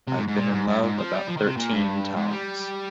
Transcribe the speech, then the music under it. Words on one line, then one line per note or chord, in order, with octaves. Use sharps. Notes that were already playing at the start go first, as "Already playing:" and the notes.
I've been in love about thirteen times.
C3
G#2
G#2
A#2
G#2
G2
G#2
F3
G3
F3
D#3
C3
A#2
G2
G#2
G3